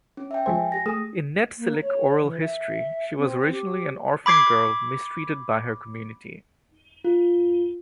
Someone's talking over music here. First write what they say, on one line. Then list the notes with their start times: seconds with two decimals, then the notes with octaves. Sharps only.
In Netsilik oral history, she was originally an orphan girl mistreated by her community.
0.17 C#4
0.31 E5 G5
0.46 F3 G#3 C5 G#5
0.72 G4 A#6
0.86 A3 G#4 D#6
1.58 A#3
1.82 C#5
2.22 E3
2.42 E5
3.18 C4
3.52 G4
4.26 B5 D6 G#6 C7
7.05 F4